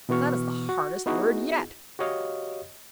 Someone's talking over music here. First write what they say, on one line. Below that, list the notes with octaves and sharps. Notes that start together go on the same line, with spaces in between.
That is the hardest word yet!
B2 E3 B3 F#4 C#6 F6
F#4
B3 D#4 E4 F#4 G#4
F#4 G4 C#5 D#5 F5